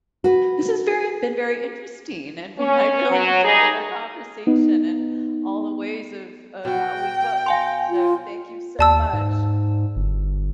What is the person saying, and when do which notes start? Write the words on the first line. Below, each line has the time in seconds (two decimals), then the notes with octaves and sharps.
This has very been very interesting, and ve I really enjoyed our conversation, and all the ways of of how we cook, so, thank you so much.
0.24 F#4 B4
2.59 C#4
3.11 F#3
3.44 G3 D#4 G#4
4.47 B3 D#4
6.65 B2 F#4 G5
7.46 F5 G#5 C6
7.90 F4
8.79 D#2 D5 A5 E6
9.13 G#2
9.96 G1